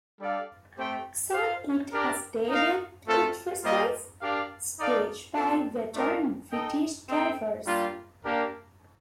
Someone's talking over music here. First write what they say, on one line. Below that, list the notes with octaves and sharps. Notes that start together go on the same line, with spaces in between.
Soon, it hosted its first race, staged by veteran British drivers.
G3 D4 A4 D5 F5
A3 C4 G4 C5 G5
F4 C5 F5
D4 G4 A#4
D#4 A#4 F5
A3 C4 F4 A4
G3 A#3 F4 C5 D#5
D4 G4 A#4 F5
D#4 A4 D5 F5
C4 F4 A4
A3 D4 F4 A#4 D#5
D#4 A4 D#5 G5
C4 D#4 A4 D#5 G5
G3 A#3 D4 F4
A#3 D4 G4 A#4